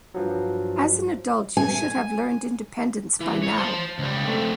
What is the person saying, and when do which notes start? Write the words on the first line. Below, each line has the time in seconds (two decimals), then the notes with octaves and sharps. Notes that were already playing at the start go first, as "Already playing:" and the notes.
As an adult, you should have learned independence by now!
0.14 G2 F3 F#3
1.57 G#5
3.21 E3
3.44 A2 C#5
3.58 C5 A5
3.99 C#2 G3
4.26 A3 C4